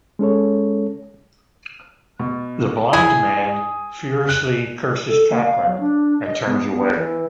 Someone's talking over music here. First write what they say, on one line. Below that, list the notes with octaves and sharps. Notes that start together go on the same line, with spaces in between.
The blind man furiously curses Chaplin and turns away.
G#3 C#4 A4 C#5
B2
E4 G#4 D#6
F#6
A4
A#3
F5
F#3
D4
D#5
B3
B3
E3